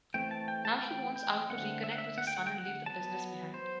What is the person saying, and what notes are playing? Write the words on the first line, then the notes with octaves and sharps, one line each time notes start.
Now he wants out to reconnect with his son and leave the business behind.
E3 A3 C4 G5
A5
G5
A5
G5
G5
D3 A3 C4 F#5
E5
F#5
E5
F#5
G5
F#5
G5
F#5
F#3 B3 A5
C5